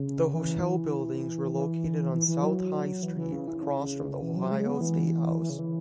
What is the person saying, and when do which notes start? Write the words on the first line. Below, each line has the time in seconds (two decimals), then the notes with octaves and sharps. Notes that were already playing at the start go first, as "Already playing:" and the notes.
The hotel buildings were located on South High Street across from the Ohio Statehouse.
Already playing: C#3
0.34 E3
1.54 E3
2.14 E3
2.28 E3
2.43 F#3
3.03 E3
3.17 E3
3.32 C#3
3.47 E3
3.63 C#3
4.22 E3
4.36 F#3
4.51 G#3
4.66 B3
4.81 E3
5.42 E3
5.50 C#3
5.59 E3